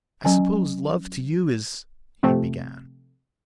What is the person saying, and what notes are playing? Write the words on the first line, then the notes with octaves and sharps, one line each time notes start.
"I suppose love to you is--" he began.
F#3 C#4 G#5
C3 F3 A3 C4